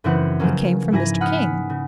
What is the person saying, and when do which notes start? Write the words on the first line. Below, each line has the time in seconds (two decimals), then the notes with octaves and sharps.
It came from Mr. King.
0.04 F#2 C#3 E3 C4 E4 F#5
0.40 C#3 F3 F#3 A#3 C#4
0.92 G#2 E4 G#5 A#6
1.21 F#5 B5 D#6 F6 F#6
1.70 C#3